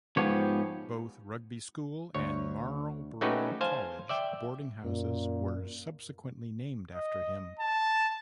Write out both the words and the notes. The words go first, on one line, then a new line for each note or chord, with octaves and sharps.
Both Rugby School and Marlborough College boarding houses were subsequently named after him.
G#2 F3 B3 G4 C#5
D2 C#5
A3 C#4 D#4 F#4 G4 B4
C5 F5 G#5 A5
D5 E5 G5
F#2 A#2
D#5
A5